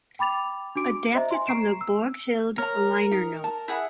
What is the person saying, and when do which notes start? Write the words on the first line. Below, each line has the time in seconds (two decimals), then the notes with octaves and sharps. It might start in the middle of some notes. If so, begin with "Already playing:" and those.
Adapted from the "Borghild" liner notes.
0.19 G5 B5 D6 A6 F7
0.75 D4 F#4 D6 D7
1.14 C5 D#5 E5 A#5
1.31 G#5 C6
1.47 A#5 C#6 C7 D7 E7
1.81 E6
2.58 A#4 C#5 A#5
3.11 D#4
3.44 A5
3.68 E4 G#4 F#5